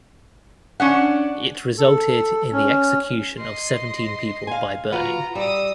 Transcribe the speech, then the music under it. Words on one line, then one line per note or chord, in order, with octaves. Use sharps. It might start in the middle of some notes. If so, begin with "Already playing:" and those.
It resulted in the execution of seventeen people by burning.
C#4 D4 F#5
A4
C#4
D#5 C6
F5 G#5
F4 F#4 B4 A#5
G3 D#6 E6